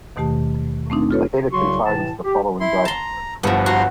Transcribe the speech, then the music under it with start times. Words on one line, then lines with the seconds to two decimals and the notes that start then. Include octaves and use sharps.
The header contains the following data.
0.16 D#2 B2 D#3 A3 G4 A5
0.90 A3 C4 D4 D#4
1.11 F4 G4 A4 B4 C#5
1.51 C2 C#3 F#3 F#4 C6 C#6
1.85 A2 C3 E3 A5
2.23 G4
2.60 E4 C6
2.85 A5 A#5 C6
3.43 G1 G2 F3 B3 E4
3.66 F#4 A#5 C6